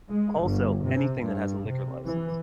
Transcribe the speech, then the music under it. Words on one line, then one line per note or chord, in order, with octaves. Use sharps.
Also, anything that has a liquor license.
G#3
G1
C3
G2
C3
E3